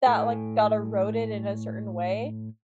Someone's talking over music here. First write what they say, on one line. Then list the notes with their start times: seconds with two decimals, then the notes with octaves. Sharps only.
that, like, got eroded in a certain way.
0.06 A2 A4 G5 G#5